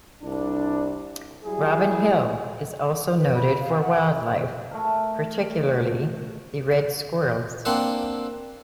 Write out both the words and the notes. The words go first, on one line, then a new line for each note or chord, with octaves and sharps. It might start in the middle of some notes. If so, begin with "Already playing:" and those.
Robin Hill is also noted for wildlife, particularly the red squirrels.
C2 D4
F#3 G3 E4 G#4
B4
B5
F5
F#5
A3 G#4 A#4
A#3 C4 D4 C5 F#5